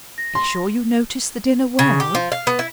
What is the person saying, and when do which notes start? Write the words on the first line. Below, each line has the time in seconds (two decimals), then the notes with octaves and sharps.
Be sure you notice the dinner well.
0.18 A#6
0.35 C6
1.79 C#3
2.00 G4
2.15 F3
2.32 F5
2.47 B3
2.59 E4